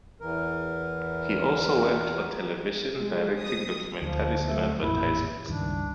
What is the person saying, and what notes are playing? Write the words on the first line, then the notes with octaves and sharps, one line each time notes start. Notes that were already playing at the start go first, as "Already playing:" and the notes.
He also worked for television, directing documentaries and advertisements.
E2 E3 A#4
G#3
D#6
D2 F3
A3
A1 F2 A#2 E4
C#2 G2 D#3 D4